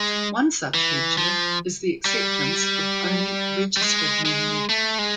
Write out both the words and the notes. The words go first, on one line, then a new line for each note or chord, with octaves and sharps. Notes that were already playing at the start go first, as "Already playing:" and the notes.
One such feature is the acceptance of only registered memory.
Already playing: G#3
E3
F3
G3
G3
G#3
G#3
A3
G#3